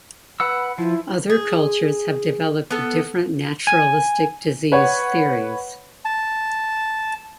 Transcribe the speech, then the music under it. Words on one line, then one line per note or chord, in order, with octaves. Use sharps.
Other cultures have developed different naturalistic disease theories.
B4 F#5 B5 E6
F3 E4
G#4
B3 A4
G#5
B4 C#5 F#5
A5